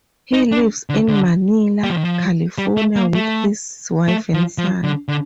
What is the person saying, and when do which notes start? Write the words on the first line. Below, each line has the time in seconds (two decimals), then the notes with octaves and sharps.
He lives in Manila, California with his wife and son.
0.33 D#4
0.52 D4
0.90 D3
1.08 D3
1.84 G3
1.90 F3
1.97 D#3
2.04 F3
2.58 G3
2.77 A3
2.96 A#3
3.15 A3
4.08 A3
4.34 F3
4.58 F3
4.84 D3
5.08 D3